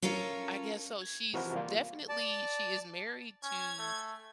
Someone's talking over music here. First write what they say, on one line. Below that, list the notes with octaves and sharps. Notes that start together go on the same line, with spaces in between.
I guess so. She's definitely, she is married to
C#4 F4 A4 A#4 C#5
G#6
C3 E3 F3 F#4 A#4 B4
G3 A#3 F4
D5 A5
C#4 G#6
A3